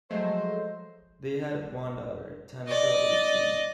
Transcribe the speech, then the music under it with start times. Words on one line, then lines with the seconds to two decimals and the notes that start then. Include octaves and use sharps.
They had one daughter, Tanica Lichine.
0.11 F3 F#3 G#3 A3 C5 D#5
2.67 D5 D#5